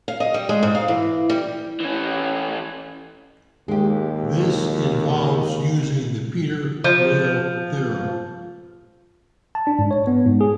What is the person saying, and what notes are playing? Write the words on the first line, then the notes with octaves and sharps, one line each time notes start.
This involves using the Peter-Weyl theorem.
F5
D#5
G3
G#3
G#2
F5
E3
G3
E3 C#4
D#2 G#3 G4
F3
A5
D4
G#2
C#5
B3
G#2
G#4